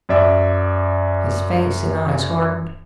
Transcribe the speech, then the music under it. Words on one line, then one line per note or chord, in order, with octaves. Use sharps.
His face and eyes hardened.
F#2 D5 E5